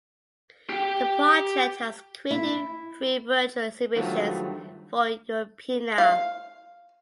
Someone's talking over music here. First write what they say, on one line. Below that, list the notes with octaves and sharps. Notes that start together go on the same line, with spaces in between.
The project has created three virtual exhibitions for Europeana.
G4 G5
E4
G2 D#3 F3 F#3 A3
F5